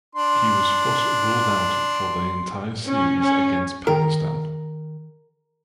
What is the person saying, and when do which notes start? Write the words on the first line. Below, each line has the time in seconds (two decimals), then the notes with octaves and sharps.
He was thus ruled out for the entire series against Pakistan.
0.15 D4 C6
2.85 C#4
3.20 C#4
3.87 D#3 G#4 A#4 G5 A#5